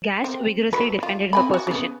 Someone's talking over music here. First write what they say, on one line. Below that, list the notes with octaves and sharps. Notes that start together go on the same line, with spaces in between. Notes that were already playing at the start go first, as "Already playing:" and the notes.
Gash vigorously defended her position.
C4
D#3 F#3 B4
F4
C4 G#5 B5
F#4
C#3 B3